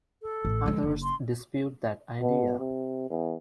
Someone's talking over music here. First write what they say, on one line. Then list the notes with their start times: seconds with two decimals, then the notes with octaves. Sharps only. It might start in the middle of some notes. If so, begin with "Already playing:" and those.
Others dispute that idea.
0.22 A4
0.45 A1
0.66 F3 G#3
0.83 F#1
1.03 C6
2.22 B2
2.60 C3
3.10 E2